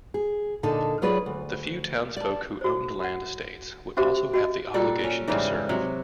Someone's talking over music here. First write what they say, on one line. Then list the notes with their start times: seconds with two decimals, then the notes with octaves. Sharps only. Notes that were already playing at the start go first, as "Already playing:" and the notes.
The few townsfolk who owned land estates would also have the obligation to serve.
0.14 G#4
0.63 A#2 D3 D#4 A4 A5
1.02 F#3 F4 G#4 B4 C#5 D5
1.26 D2
2.17 D5 A5
2.61 F#4 C5
3.00 F#4 F#5
3.97 C#4 F#4 G4 C5 E5 D6
4.34 F#4 D#5
4.74 A#2 G3 F#4 A4
5.04 C#4
5.28 G#2 C#3 E3 G3
5.69 C3 F#3 F#4